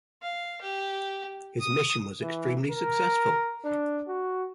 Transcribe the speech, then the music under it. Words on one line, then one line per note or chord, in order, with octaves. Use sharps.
His mission was extremely successful.
F5
G4
D#6
E3
A#4
D4
F#4